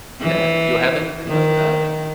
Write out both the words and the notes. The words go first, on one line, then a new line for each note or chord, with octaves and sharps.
Yeah. Do you have anything like that?
E3
D#3